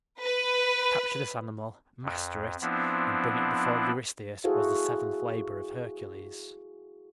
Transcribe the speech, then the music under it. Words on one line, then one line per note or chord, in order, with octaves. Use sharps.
To capture this animal, master it, and bring it before Eurystheus, was the seventh labor of Hercules.
B4
F2
F3 B3 C4 D4 E4
E4 F#4 G#4 A4 C5 F5